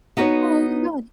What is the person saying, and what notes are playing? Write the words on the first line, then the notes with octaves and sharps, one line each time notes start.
Oh, my god.
B3 D#4 F#4 A4 B4 C#5